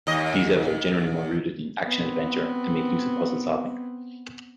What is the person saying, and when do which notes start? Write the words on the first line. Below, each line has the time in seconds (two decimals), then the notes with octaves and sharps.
These levels are generally more rooted in action-adventure, and make use of puzzle-solving.
0.07 D#2 D#5
1.85 B3 C4